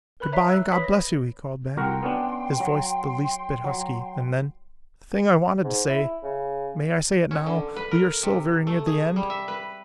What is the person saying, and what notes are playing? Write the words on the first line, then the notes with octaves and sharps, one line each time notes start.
"Good-bye, and God bless you!" he called back--his voice the least bit husky--and then: "The thing I wanted to say--may I say it now, we are so very near the end?"
A#4 B4 B5 F#6
C#5 E5 A#5 B6 C7
E6 F#6
B4 C#5 B5 D#6 B6
A#6
C2 F#4 A#4 G5 C6
B3 C#4 D4
F#3
F#3
G#2
E4
C#3
C#4
D3
B4
A#4
C3
A3
G#4
G3
E5
B4